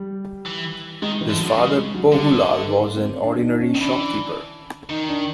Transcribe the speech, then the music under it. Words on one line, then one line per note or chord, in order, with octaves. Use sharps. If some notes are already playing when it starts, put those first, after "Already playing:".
His father Pohu Lal, was an ordinary shopkeeper.
Already playing: G3
E3
D#3 G#3
E3
D3
F#3
D3
C#3 G3
G#3
F#3
D3 G3
A3
A#3
C4
D4
D#4
C#4
D#3
E3 D4
D#3 D#4
D4